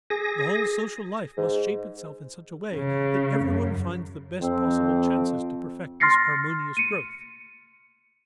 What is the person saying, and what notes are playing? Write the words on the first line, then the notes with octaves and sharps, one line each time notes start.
The whole social life must shape itself in such a way that everyone finds the best possible chances to perfect this harmonious growth.
G#4 A#6
G#2
C#3
F#2
F2 C4
C6 F6 A6 A#6 C7 C#7
C#7 D#7